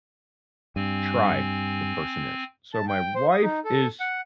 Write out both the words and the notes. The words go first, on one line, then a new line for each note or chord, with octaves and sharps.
tribe the person is. So, my wife is
G2 C4 G#5
A5
G5
C5
D#6
D#4
A4
F#5